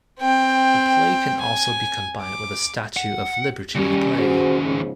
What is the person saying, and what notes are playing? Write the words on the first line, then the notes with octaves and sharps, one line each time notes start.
The play can also be combined with a Statue of Liberty play.
C4 G5
G#5
D6
F#5
D#2 G3 C#4
F#4 G#4 C5
G#2 C#3 F3